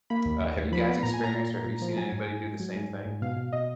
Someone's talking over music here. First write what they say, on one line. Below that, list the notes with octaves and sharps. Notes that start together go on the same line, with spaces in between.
Uh, have you guys experienced or have you seen anybody do the same thing?
A#3 B5
D#2
D#2
D#2
F3 B5
B3
A#2 A#5
G#5
A#2 A#5
A#2
A#2
A#2
F3
F#3 G#5
G#2
G#2
G#2
F#3
G#2
G#2
G#2
B2 F5
B2
B2 D#5